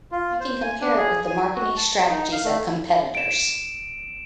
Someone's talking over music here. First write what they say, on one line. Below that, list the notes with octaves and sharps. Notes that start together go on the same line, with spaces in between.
You can compare it with the marketing strategies of competitors.
F4
C5
G#5
D4
G#4
G#5
F#4
A5
D#4
F5
A3
D7 E7